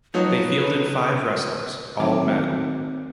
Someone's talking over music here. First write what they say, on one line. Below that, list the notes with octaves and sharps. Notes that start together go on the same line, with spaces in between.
They fielded five wrestlers, all men.
F3 F#3 D#4 B4
D#3 F#3 C4 D6